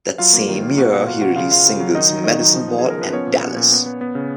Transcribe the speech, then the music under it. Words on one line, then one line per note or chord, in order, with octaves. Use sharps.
That same year he released singles "Medicine Ball" and "Dallas".
F#3 F4 F5
A#3
D#3
A#3
B2 F#4 F#5
B2 F#4 F#5
B2 F4 F5
B2 F#4 F#5
C#3 F4 F5
C#3 F4 F5
C#3
F#3
D#3 D#4 D#5
D#3
D#3 D#4 D#5
F#3
F3
B3
C#3 G#4
A#4
F3 B4
B3 C#4 C#5
A#2
B3
A#2
B3
B3
B3
C#3